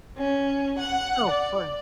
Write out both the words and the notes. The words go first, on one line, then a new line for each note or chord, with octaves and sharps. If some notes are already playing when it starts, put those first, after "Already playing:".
Oh, for
C#4
F#5
D5